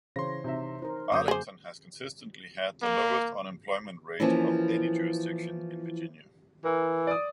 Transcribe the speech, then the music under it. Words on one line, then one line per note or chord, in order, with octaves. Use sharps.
Arlington has consistently had the lowest unemployment rate of any jurisdiction in Virginia.
C#3 E3 C5 C#5 C6 A#6
C3 D#4 E5
D#4 A#4 C5
F#2 D3 A#3 D6 D#6 G6
G#4 C5
A#3
E3 F3 A#3 C4 C#4 E4
E3 A#4
D5 D#6